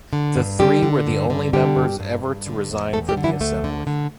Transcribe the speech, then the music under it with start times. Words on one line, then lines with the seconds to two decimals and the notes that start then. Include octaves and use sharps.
The three were the only members ever to resign from the Assembly.
0.13 D3
0.36 G2
0.59 D3 G3 G4
0.83 D3
1.07 G2
1.30 D3
1.53 D3 G3 G4
1.76 G2
2.00 G2
2.23 G2
2.47 D3
2.70 E2
2.93 E2 A3 A4
3.09 G3 G4
3.17 D3
3.24 E3 E4
3.41 D2 A3
3.64 D3
3.87 D3